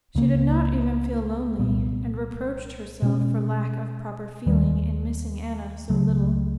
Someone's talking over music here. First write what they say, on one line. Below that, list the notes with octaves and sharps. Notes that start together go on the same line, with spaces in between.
She did not even feel lonely, and reproached herself for lack of proper feeling in missing Anna so little.
C#2 C#3 F3 A#3
C2 A#2 G3 B3
B2 G#3 C#4
D#2 D#3 G3
C#2 C#3 F#3 A3